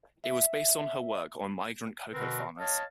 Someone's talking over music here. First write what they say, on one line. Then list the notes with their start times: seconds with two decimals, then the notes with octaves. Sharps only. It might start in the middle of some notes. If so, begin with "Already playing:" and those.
It was based on her work on migrant cocoa farmers.
0.24 E5
2.12 B2 D3 C4 A#4 B4
2.59 C#5 D#5 F5 A5